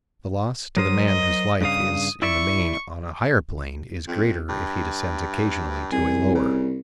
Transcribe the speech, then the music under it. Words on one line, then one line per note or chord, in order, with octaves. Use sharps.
The loss to the man whose life is in the main on a higher plane is greater if he descends occasionally to a lower.
F#3 A#4 C5 D#6
D#5
G2 C#3 F5 D#6
E4 D5 E5 C#6
F2
G2
C2 G#4
C#3